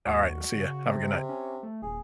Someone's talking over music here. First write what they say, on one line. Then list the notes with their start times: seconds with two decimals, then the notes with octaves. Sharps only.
Alright, see ya. Have a good night.
0.07 D#2 F#4
0.55 C#3
0.86 C3
1.29 C#4
1.63 A3
1.82 D#1 G#4